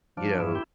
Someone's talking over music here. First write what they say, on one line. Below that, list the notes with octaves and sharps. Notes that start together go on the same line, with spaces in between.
you know,
F3 D4
G2 E4
G4